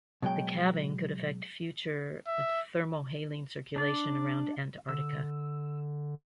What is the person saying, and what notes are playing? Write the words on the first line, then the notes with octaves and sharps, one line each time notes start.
The calving could affect future thermohaline circulation around Antarctica.
B2 F#3 G#3 G5
E5
D4 D5
D3 E6